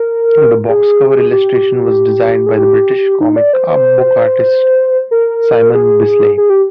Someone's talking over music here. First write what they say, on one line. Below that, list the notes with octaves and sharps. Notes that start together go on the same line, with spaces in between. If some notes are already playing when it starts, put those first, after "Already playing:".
The box cover illustration was designed by the British comic book artist Simon Bisley.
Already playing: A#4
G#4
G4
G#4
G4
D#4
D5
C5
C5
A#4
G#4
G#4
G4